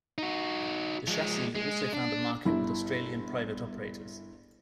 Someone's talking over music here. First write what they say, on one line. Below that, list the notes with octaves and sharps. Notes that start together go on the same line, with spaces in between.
The chassis also found a market with Australian private operators.
D#4 F#4
F3 G#3
G#3
D4
G1 E4